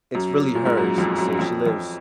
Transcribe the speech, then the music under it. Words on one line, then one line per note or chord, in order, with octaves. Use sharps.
it's really hers since she lives
F#2
A#2
G#2
F#2
F2
F#2
F2
F2